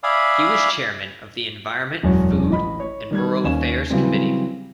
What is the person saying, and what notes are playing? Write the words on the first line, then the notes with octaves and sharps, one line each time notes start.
He was Chairman of the Environment, Food and Rural Affairs Committee.
D5 E5 F5 G#5 B5 D#6
E1 F#2 F#4 C#5
A1 D#5 B5
C#5
D#3 G3 G#6
D#2 C#4 E7
C#3 E3 F#3 G3 C4